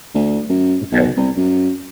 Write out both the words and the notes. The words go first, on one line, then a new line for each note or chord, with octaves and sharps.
Mm, okay.
D2
F#2
B1
C2
F#2